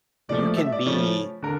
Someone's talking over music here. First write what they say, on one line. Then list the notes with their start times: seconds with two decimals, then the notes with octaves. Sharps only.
you can be
0.29 A#2 F3 A3 D5
0.57 E5
0.72 D5
0.86 C#3 F3 A3 C#5
1.43 D3 A#4